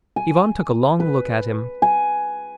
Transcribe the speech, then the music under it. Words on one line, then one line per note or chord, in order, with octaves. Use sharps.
Ivan took a long look at him.
G#5
B4
G#5